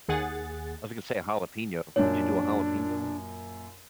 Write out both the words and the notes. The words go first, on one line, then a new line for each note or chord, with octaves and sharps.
I was gonna say, jalapeno did you do a jalapeno one?
D#2 G#4 F#5 A6
F#2 A#2 D4 C#5